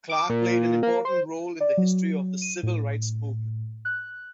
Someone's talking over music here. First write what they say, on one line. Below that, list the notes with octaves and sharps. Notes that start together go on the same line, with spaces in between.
Clark played an important role in the history of the Civil Rights Movement.
D6
A#2
A#3
C5
D5
F#3
D#7
A2
F#6